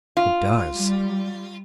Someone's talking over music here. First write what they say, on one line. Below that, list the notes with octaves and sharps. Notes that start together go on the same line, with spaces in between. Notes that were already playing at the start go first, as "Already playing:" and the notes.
"It does."
F4
G3